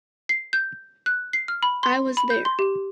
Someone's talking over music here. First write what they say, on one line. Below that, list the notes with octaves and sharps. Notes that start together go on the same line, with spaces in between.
I was there.
C7
G6
F#6
C7
F6
B5
C6
B5
G6
C6
G4